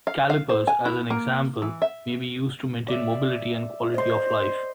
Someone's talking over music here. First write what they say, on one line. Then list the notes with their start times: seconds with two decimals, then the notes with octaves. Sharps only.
Calipers, as an example, may be used to maintain mobility and quality of life.
0.07 F5
0.30 F5
0.49 C5
0.67 G#5
0.85 E4
1.10 A#3
1.62 E3
1.82 E5
2.88 D5 E5
3.94 C5 D#5 C6